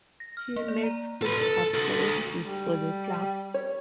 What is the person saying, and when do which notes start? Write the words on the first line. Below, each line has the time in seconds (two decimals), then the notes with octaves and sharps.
He made six appearances for the club.
0.20 A#6
0.37 F6
0.56 A#3
0.68 D5
0.83 A#5
1.22 A4 B4
1.42 A4
1.74 F#4 A4
2.44 G3
3.54 C#5